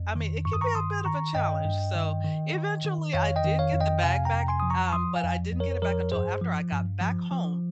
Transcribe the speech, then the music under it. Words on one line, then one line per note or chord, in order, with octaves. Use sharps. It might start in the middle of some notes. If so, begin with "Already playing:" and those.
I mean, it can be a bit of a challenge, so, eventually, I did get the bag back, um, but I didn't get it back until after I got back home,
Already playing: F2
D#3
G2 C#6
D#6
A#5 C#6
D#3 C6 D#6
D#3 A#5 C#6
G2 D#5 G5
G2
D#3
D#3
D#3
D#3
F2 C#5 F5
D#5 G5
D#3
C#5 F5
F2
D#5 G5
C3 F5 G#5
G5 A#5
F2
G#5 C6
F3 D#6
A#5 C#6
F3 C6 D#6
F5 G#5
F2
F2
A#4 C#5
F3 A#4 C#5
G2 G#4 C5
F3
G2
F3
F3